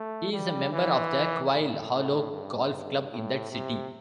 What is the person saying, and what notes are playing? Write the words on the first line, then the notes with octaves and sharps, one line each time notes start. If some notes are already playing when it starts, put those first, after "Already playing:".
He is a member of the Quail Hollow Golf Club in that city.
Already playing: A3
G3
E3
A2
A2
G2
G2
A2
C3